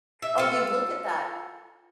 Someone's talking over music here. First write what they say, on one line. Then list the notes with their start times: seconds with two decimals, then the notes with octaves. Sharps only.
or you'd look at that,
0.22 E5
0.38 F4 A4